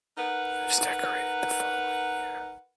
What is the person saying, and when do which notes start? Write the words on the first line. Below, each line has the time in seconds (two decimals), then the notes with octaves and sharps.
He was decorated the following year.
0.17 D#4 A#4 B4 F#5